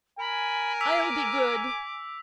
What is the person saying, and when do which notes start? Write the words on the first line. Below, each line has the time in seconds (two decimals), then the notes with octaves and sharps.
I'll be good!'
0.19 A#4 G#5 B5
0.81 D6 E6 B6 F7